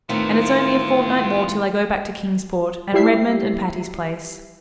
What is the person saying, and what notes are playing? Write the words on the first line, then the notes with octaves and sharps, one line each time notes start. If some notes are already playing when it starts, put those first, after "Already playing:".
And it's only a fortnight more till I go back to Kingsport, and Redmond and Patty's Place.
A2 D#3 B3 C4 E4 F4
F3 G3 E4 G4 E5 C7